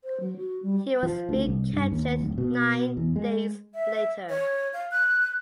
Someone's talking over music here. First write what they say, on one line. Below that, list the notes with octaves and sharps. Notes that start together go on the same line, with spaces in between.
He was recaptured nine days later.
C5
F#3
F#4
G3
F3
D2
C2
G2
D#2
D1
B2
E2
G#3
E5
C#5
F5
F#6